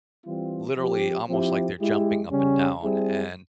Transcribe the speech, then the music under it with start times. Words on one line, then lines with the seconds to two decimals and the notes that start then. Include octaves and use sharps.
literally, almost like they're jumping up and down, and,
0.26 E3 G3 C4 F4
0.78 F3 C4 G4
1.29 F3 C4 E4 G4
1.81 G#3 E4 G4
2.31 C#3 G3 C#4
2.83 G3 C4 E4 G#4